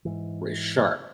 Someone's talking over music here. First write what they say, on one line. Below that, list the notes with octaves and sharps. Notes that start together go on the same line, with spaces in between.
very sharp.
G#2 E3